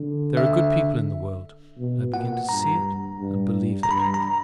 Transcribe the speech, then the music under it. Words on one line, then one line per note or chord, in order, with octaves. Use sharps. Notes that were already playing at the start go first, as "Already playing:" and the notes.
There are good people in the world: I begin to see it, and believe it.
Already playing: D3
E5
B2
A#2 F#5
G2 A#5
G2
A#5
G2 B5
A#5